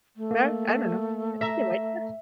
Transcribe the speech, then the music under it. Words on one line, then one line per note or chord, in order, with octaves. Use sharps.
They're I don't know. I think you're right, yes.
A3
A#3
E5 A#5 A#6 B6